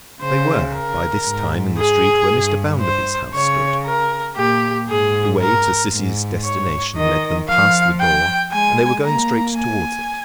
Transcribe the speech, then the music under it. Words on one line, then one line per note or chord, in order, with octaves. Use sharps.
They were by this time in the street where Mr. Bounderby’s house stood. The way to Sissy’s destination led them past the door, and they were going straight towards it.
C#3 C5
A#4
G#2
G#4
G2
C5
C#3 C#5
A#4
A#2 G4
G#2 G#4
A#4
G#2
C#5
D#3 D#5
F3 F5
G5
G#3 G#5
A#3 A#5
G#5